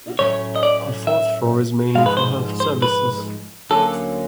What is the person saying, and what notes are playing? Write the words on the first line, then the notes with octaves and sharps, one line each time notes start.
The fourth floor is mainly for health services.
A2 F#3 A3 C#4 C#5
D#5
D5
E5
G#2 F3 G#3 F5
B4
C5
C5
B4
D2 D3 F#3 A#3 C#4 A4